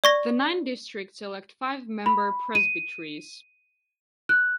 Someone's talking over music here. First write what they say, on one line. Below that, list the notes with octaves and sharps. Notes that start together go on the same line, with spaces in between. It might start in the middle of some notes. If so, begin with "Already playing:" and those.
The nine districts elect five member presbyteries.
D5 C#6 A#6
B5
D#7
F#6